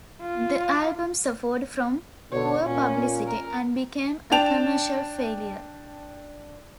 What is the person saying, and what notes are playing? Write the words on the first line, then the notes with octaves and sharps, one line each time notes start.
The album suffered from poor publicity and became a commercial failure.
F4
B2 D3 C#5
A#2 C#4
A#4
D4 G5 A5 F7